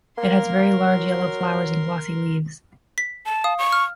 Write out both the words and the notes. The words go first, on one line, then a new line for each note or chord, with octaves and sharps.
It has very large yellow flowers and glossy leaves.
A#3 A#4 C6
F#3
B6
A5
F5 D#6
C#6
F6